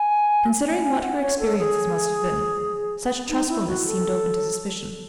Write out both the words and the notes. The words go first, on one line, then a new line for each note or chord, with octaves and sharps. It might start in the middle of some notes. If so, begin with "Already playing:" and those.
Considering what her experiences must have been, such trustfulness seemed open to suspicion.
Already playing: G#5
G#5
F#5
C#5
A4
G#4
D#4
E4
F#4
A4